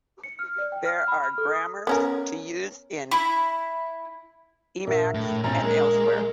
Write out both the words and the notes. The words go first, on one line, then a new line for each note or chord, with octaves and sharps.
There are grammars to use in Emacs and elsewhere.
C#7
F6
D5
G5
F6
B5
F6
A4
D#6
B3 C#4 A#4
E4
A#1 A#4 E5
A2
A#1 C4 C#4 A#5 A6
G#3 A#3